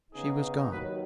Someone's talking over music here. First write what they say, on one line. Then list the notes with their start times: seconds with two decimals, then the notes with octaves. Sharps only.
She was gone.
0.12 C#3 B3 D#4 G#4
0.69 D#2 D#3 F#3 F#4 B4